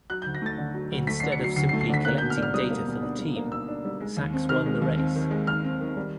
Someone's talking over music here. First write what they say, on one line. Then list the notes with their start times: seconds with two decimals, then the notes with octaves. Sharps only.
Instead of simply collecting data for the team, Sacks won the race.
0.10 F#3 F#6
0.22 G6
0.26 D2
0.35 A#6
0.42 A3 A6
0.58 D3
0.74 F#3
0.92 D2
1.07 A3 B6
1.20 C7
1.23 D3
1.32 C#7
1.40 F#3 C7
1.56 D2 C7
1.69 C7
1.73 A3
1.81 C7
1.90 D3 B6
2.05 A#3 F#6
2.18 G6
2.21 B2
2.30 F6
2.37 D4
2.42 F6
2.54 G3 D#6
2.70 A#3
2.87 B2
3.03 D4
3.19 G3
3.36 A#3
3.51 B2 E6
3.68 D4
3.85 G3
4.01 G#3
4.17 D#2
4.33 C4
4.49 D#3 F6
4.66 G#3
4.82 D#2
4.98 C4
5.15 D#3
5.31 G#3
5.47 D#2 F6
5.64 C4
5.80 D#3
5.97 G3